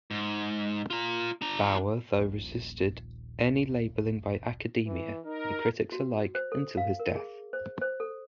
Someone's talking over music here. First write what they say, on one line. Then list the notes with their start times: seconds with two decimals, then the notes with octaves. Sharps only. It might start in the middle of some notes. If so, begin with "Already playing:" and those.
Bauer though resisted any labelling by academia and critics alike until his death.
0.11 G#2
0.90 F4 A#5
1.42 D4 A#5
2.19 D#1 A#1
4.86 E3
5.25 D#4 A#4
5.92 F#4
6.35 C5
6.52 A4
6.77 F5
7.00 A#4
7.16 G#4
7.53 C5
7.81 C5
8.00 A4